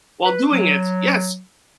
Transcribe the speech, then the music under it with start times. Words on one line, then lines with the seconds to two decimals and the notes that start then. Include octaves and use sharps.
while doing it yes,
0.25 B4
0.51 F#3